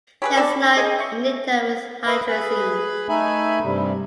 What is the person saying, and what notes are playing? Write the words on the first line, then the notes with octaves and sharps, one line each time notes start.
There is no igniter with hydrazine.
G4 G#4 B4 C#5 B5
D4 A4 D5
G#4 D#5 G#5
E5 C#6
B4 D#5 E5 B5
G#4 B4 B5
A3 D#4 E5 G#5 B5
G2 C3 G3